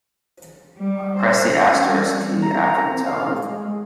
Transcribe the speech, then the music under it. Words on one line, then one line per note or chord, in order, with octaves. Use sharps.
Press the asterisk key after the tone.
G3
C5
C#4
G3
A#5
C4
F5
G#3